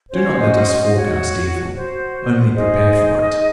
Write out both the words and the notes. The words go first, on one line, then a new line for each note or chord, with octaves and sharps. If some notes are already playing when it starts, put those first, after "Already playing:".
'Do not let us forecast evil, only prepare for it.'
C#4 F#4 C5 C#5
D#5
D#5
F#4 C#5
F#4 C5
D#4 G#4 C5 D#5
D#4 G#4